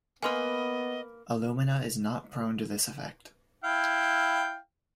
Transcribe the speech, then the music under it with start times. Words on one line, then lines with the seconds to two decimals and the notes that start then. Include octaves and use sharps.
Alumina is not prone to this effect.
0.23 A#3 B3 B4 D#5 G#5 C6 F6
3.64 E4 F5 G5